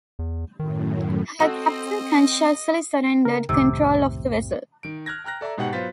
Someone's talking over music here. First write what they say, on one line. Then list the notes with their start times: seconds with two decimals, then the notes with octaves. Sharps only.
Her captain consciously surrendered control of the vessel.
0.19 E2
0.60 F#2 A2 D#3
1.40 C4 F#4 A4 D#5
3.25 C#3 A#4
3.49 F#1 C2 A2 C3 D#3 D6 E6
4.83 D#3 D7
5.06 F6 F#6 G#6 A#6
5.24 G5 A#5 F6 F#6 A#6
5.41 A4 D5 E5 A#5
5.58 G#2 B2 D#4 G4 F#5 F#7
5.73 F#3 B3 F4 C5 A6 B6